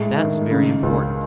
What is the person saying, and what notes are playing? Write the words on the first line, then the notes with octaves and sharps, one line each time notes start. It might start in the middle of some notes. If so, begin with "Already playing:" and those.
That's very important.
Already playing: A2 G#3
D#3
C#3
C#2